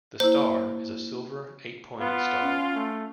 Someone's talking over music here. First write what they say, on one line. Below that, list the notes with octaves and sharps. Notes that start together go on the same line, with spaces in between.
The "star" is a silver, eight-pointed star.
A#3 E4 C5
B3 F4
C#4
A3